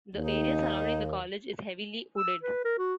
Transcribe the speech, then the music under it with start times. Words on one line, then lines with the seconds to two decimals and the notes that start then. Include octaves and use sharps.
The area surrounding the college is heavily wooded.
0.15 D#2 D#4
2.17 E6
2.43 B4
2.65 A#4
2.78 F#4